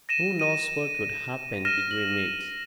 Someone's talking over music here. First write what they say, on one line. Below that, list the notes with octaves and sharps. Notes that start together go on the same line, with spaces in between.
Who knows what would happen did we meet.
A#6 D#7 E7
D#7
F6 A#6 D#7 E7
F#7